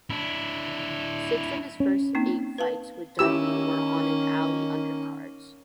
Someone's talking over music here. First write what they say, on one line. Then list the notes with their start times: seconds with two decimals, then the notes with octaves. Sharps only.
Six of his first eight fights with Dundee were on an Ali undercards.
0.10 D4 E4
1.80 C#4
2.15 A#3 C4 D#4
2.58 B4 F5 A5
3.19 D#3 A#3 C#4 E4 G4 E6